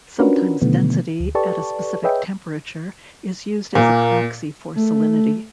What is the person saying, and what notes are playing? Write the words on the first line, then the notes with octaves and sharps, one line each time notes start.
Sometimes density at a specific temperature is used as a proxy for salinity.
C#4 D4 F4 F#4 A#4 B4
B2 D3 D#3 F3 A3 B3
D2
G4 A4 B4 D5 A5 C#6
G#4 B4 C#5 D#5 E5 G5
A#2 A#3
A3